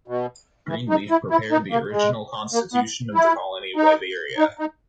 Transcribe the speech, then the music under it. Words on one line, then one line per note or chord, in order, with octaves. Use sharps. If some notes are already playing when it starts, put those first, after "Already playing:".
Greenleaf prepared the original constitution of the Colony of Liberia.
B2
E3
D#4
E4
E4
D#4
A#3
G#3
A#3
B3
E4
D#4
D#4
D#4